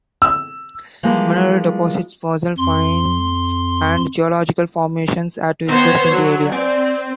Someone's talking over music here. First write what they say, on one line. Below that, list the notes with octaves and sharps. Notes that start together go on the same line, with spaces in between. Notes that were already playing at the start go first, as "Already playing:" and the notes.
Mineral deposits, fossil finds and geological formations add to interest in the area.
E6
E3 F3 G3 G#3 A#3
F2 C6
D#3 B3 C4 C5 C#5
F#3 A4
C4 D5 G#5